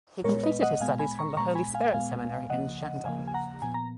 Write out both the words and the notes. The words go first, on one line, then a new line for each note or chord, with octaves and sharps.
He completed his studies from the Holy Spirit seminary in Shandong.
A#2 G#3 B3 A#4 C#5
B4 D#5
D#5 F#5
A#2 G#3 B3 F5 G#5
G#5 B5
A#5 C#6
A#2 G#3 B3 A#5 C#6
G#5 B5
F5 G#5
A#2 G#3 B3 F5 G#5
C#3 F3 A#3 D#5 F#5
C#3 F3 A#3 F5 G#5
G#5
F#5 A#5
A#2 F3 B3 G#5
A#5